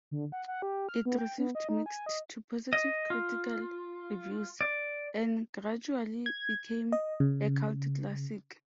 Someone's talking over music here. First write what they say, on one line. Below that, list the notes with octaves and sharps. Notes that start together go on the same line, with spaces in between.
It received mixed to positive critical reviews, and gradually became a cult classic.
D3
F#5
F#5
G4
F6
B3
G5
B3
D#5
D#4
G#5
D#5
D#5
F4
D5
G#6
D#5
C#3